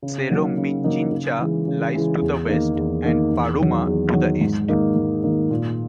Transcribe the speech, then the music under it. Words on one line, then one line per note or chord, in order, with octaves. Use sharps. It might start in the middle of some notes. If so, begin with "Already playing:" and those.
Cerro Minchincha lies to the west and Paruma to the east.
C#3
F#3 A#3 D#4
C#3
F#3 A#3 D#4
C#3
E3 G#3
C#3
E3 G#3
E2
D#3 A#3 D#4
E2
D#3 A#3 D#4
E2
D#3 F#3
E2
D#3 F#3
G#2
D#3 A#3 D#4
G#2
D#3 A#3 D#4
A#2